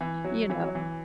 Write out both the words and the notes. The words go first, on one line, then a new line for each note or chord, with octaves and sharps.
you know.
E3
F#3
E3
F#3
E3